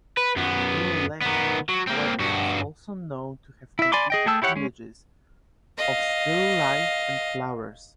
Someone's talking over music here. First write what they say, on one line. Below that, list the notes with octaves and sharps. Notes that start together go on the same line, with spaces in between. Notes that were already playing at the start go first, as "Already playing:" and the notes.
Burleigh however is also known to have completed images of still life and flowers.
B4
F#2 B3
D#3 B3
F#3
A#3 C4
G2 F#4
E4 E5
D5 G#5 B5 C6 D6
G#4 D#5 G5
A3 G#4 G5 A5 E6
E4 G4 C#5 F#5
G#3 C#4
D#5 F5